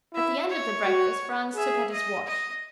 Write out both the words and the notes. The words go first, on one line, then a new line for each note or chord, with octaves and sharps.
At the end of the breakfast Franz took out his watch.
E4 E5
C#5
F#4
G#4 E5
D#5
D#5